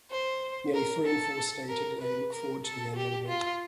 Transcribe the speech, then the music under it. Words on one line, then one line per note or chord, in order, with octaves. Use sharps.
Nearly three in four stated they look forward to the annual event.
C5
A#4
A4
A#4
B4
A#4
A4
G4
F4